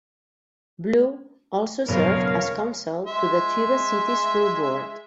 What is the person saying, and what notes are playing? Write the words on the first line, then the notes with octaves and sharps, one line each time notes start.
Blue also served as counsel to the Tuba City School Board.
E1 C#3 F#3 B3 A#4 C#5 F5
G#3 E5 C6